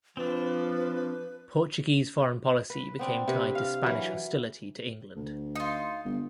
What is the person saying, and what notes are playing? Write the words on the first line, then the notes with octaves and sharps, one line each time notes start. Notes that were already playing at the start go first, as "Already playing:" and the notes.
Portuguese foreign policy became tied to Spanish hostility to England.
F3 C4 D4 B4
B4
B3 C4 D4
C3 B4
F5
E3 F#3
D2
D#4 F4
G1